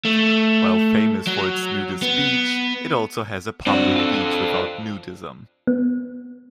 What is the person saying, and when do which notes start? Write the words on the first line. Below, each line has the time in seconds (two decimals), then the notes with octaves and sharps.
While famous for its nudist beach, it also has a public beach without nudism.
0.05 A3
1.27 F#3
2.02 B3
3.66 G2 C4 D4 F#4
3.96 F4 A4
5.67 B3